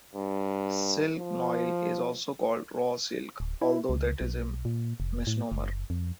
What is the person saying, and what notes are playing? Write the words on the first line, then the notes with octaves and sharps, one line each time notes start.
Silk noil is also called "raw silk", although that is a misnomer.
G2
F3
D1
E4
C#2
B1
A#2
F1
A2
F#1
F2